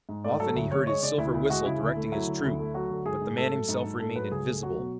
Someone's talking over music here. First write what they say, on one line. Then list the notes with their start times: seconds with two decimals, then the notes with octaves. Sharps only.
Often he heard his silver whistle directing his troop, but the man himself remained invisible.
0.09 G#2
0.24 A3 D5
0.40 F#3 A4
0.56 D2
0.71 D2 C#5
0.87 G#3 C#5
1.02 C#3 D5
1.18 D2 E4
1.34 D2
1.49 G#3 F#4
1.65 C#3 E4
1.81 D2
1.96 A3
2.12 F#3 E4
2.28 D3
2.44 D2
2.59 A3
2.74 F#3 F#4
2.90 D3
3.05 G#2 G#4
3.21 G#2
3.37 A3 A4
3.53 F#3
3.69 G#2
3.84 G#2
4.00 A3 A4
4.15 F#3 B4
4.31 C#2 G#4
4.47 A3
4.63 F#3 F#4
4.78 B2